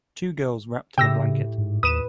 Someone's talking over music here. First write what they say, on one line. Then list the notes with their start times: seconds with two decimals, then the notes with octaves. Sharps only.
Two girls wrapped in a blanket.
0.98 A2 C#3 G4 G5 E6 A#6
1.58 G#2
1.83 D#2 B4 D#6 D#7 E7